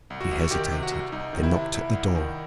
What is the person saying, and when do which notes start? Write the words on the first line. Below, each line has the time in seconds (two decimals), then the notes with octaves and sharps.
He hesitated, then knocked at the door.
0.10 C2
0.21 F#4
0.31 C2
0.44 F#4
0.51 D#3 G4
0.71 C3
0.83 F#4
0.92 C2
1.12 C2 D#4
1.33 D#3 D#4
1.43 E4
1.53 C3
1.74 C2 E4
1.94 C2
2.15 D#3